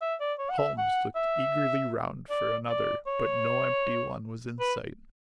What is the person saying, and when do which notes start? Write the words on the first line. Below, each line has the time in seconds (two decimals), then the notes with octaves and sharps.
Holmes looked eagerly round for another, but no empty one was in sight.
0.01 E5
0.20 D5
0.39 C#5
0.50 F#5
0.58 E5
0.78 F#5
1.16 E5
2.30 D5
2.69 D5
3.07 C#5
4.60 B4